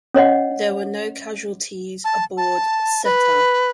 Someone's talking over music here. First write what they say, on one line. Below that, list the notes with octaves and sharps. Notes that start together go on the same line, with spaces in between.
There were no casualties aboard "Setter".
C#4 C#5 D#5 F#5
A5
A5
B4